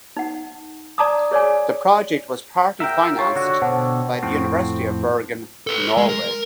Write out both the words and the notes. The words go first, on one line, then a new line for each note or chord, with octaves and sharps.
The project was partly financed by the University of Bergen, Norway.
D#4 F#5
D5 A5 A#5 D6 D#6
G#4 C#5 D5 G#5
A#4 E5 F#5 G5
F4 C#5
D3 F#4
B2 D3 C5 F#5 A5
F2 A2 C4
A4 B4
G#3
A#4